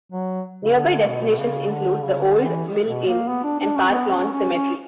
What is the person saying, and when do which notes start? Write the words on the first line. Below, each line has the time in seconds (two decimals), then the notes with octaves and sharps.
Nearby destinations include the Old Mill Inn and Park Lawn Cemetery.
0.12 F#3
0.64 C#3
0.76 D3
1.07 B2
1.39 C#3
1.70 D3
2.01 C#3
2.23 D3
2.44 E3
2.86 B2
3.07 A#3
3.28 B3
3.44 D4
3.60 D4
3.75 C#4
3.90 B3
4.12 C#4
4.33 C#4
4.53 C#4